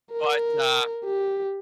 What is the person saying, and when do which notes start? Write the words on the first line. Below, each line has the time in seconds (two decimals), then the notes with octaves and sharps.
But, uh
0.12 A#4
1.05 G4